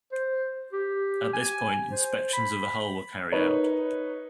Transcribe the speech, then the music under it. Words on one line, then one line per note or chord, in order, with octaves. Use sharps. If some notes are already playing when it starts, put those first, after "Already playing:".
At this point inspections of the hull were carried out.
C5
G4
G#5
C5
B5
D#4 A#4 B4 C#5